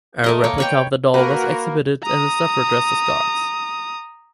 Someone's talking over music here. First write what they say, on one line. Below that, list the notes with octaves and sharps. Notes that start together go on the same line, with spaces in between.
A replica of the doll was exhibited and staff were dressed as guards.
A3 A#4 D#5
A#3 C#5
B4 C#5 G5
A#3 F#4 A#4 B4
A#5 D#6